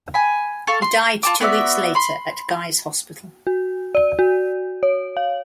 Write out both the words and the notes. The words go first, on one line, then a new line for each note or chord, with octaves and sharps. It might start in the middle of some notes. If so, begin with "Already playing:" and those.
He died two weeks later at Guy's Hospital.
G#5 B5
A4 F5 C#6
C6
F4 A5 D6
B3 F#4 D5 E5
B5 C6
F#4
D5
F#4
C#5
F5